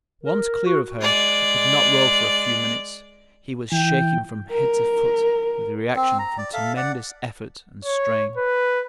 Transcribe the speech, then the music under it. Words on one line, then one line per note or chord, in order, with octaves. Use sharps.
Once clear of her he could not row for a few minutes; he was shaking from head to foot with the reaction from tremendous effort and strain.
A#4
F#4
G#3 D5
E3 G5
A#4
C4
A#5
D5
A4 E5 F5
D5 F#5
C#5
B4